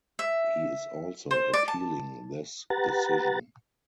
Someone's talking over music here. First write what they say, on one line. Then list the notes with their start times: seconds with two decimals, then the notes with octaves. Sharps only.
He is also appealing this decision.
0.19 E5
1.31 C5
1.53 D5
1.68 A5
2.70 G4 B4 F#5 A#5 A6